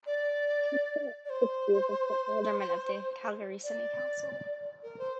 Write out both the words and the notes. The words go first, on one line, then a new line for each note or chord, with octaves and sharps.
He spent six years as an Alderman of the Calgary City Council.
D5
D5
C5
D5
A#4
C5